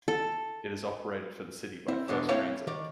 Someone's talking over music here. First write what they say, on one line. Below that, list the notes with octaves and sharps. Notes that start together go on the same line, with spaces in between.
It is operated for the city by First Transit.
A4
C4 E4
E2 G#2 B2 G#3 B3 D4
A3 C4 E4 C#5 F5 G5
D#3 D5